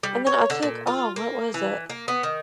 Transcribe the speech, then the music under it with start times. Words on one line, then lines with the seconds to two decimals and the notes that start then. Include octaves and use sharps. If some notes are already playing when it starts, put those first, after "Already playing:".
And then I took Oh, what was it?
0.03 G3
0.27 C#5
0.50 D3
0.62 A#2
0.87 F4
1.16 A#3
1.54 E3
1.90 A#3
2.08 B3
2.23 D#3